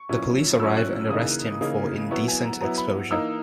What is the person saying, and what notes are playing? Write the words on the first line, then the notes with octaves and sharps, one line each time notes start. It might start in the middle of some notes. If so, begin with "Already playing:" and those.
The police arrive and arrest him for indecent exposure.
Already playing: C#6
A#2 F#3 C#4 E4
A#2 F#3 C#4 E4 E6
F#6
C#3 E3 A#3 D#4 D#6
C#3 E3 A#3 D#4
F#3 B3 E4 C#6
G#5
A#5
F#3 B3 E4 A#5
B5
E3 A#3 D#4 E6